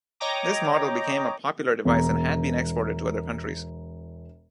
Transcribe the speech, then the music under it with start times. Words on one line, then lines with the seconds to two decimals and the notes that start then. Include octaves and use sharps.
This model became a popular device and had been exported to other countries.
0.20 C#5 D#5 G5 A#5 D6
1.85 E1 A#5